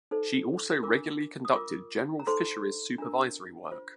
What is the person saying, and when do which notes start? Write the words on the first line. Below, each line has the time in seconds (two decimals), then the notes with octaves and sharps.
She also regularly conducted general fisheries supervisory work.
0.11 D#4 A4 C5
0.83 D4 F4 A#4 D6
1.45 D#6
1.54 F4 A#4 D6
2.20 A#5
2.27 D#4 A4 C5 C6
2.98 D4 F4 A#4 A#5
3.71 F4 C5